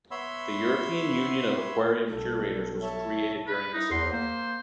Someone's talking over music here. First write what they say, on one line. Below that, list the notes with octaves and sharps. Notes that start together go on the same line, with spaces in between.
The European Union of Aquarium Curators was created during this event.
B3 C#5 E5 B5 C6 E6
B1 F#3 G3 A4
C#5 E5 A5
B4
D#4 E4
E2 C6
A#3 C5